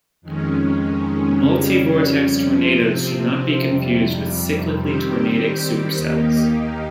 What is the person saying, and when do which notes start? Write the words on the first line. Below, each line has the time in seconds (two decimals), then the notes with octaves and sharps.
Multivortex tornadoes should not be confused with cyclically tornadic supercells.
0.21 F2 D#3 G#3 C#4
1.36 F2 C#3 G3 C#4
2.50 C3 F3 C4
3.64 F2 C3 G3
4.78 D#3 G3 C4 G4
5.92 D#2 D#3 A#3 D#4 G4